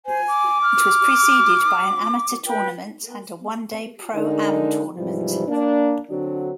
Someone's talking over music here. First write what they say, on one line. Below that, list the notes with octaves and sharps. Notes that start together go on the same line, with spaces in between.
It was preceded by an amateur tournament and a one-day pro-am tournament.
C5 G#5
D6
F6
B4 G5
D3 G#3 D4 D#4 A#4
G#2 C3 E3 F3 G3
A#3 D4
D3 F#3 C4 D4 F#4